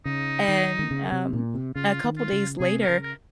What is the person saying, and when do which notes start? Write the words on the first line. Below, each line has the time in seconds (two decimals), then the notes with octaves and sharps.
And, um, a couple days later,
0.05 C#3 D#4
0.48 D#3
0.79 D#3
0.91 C#3
1.12 C3
1.33 A#2
1.54 C3
1.76 C#3 F4
2.04 D#3
2.18 F4
2.32 C#3
2.60 C3 G#4
2.82 A#4
2.89 C#3
3.03 A#4